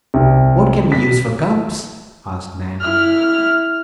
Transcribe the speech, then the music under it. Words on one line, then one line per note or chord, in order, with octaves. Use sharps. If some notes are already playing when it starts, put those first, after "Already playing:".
"What can we use for cups?" asked Nan.
C2
B6
E4 F6